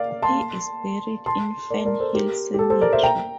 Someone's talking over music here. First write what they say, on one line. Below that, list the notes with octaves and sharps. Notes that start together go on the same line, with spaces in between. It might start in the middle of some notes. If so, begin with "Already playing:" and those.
He is buried in Fernhill Cemetery.
Already playing: A#4 D5 F5
A5 C6
A5 C6
A#4 D5
A#4 D5
A4 C5
G4 A#4
G4
A4
A4 C5
A#4 D5
C5 E5
G5 A#5